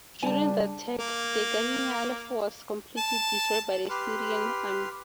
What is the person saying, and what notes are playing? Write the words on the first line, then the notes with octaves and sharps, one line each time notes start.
During the attack Degania Alef was completely destroyed by the Syrian army.
C#3 G3 D4 G#5 A5
A#3
A5
G4 B4 C6 F6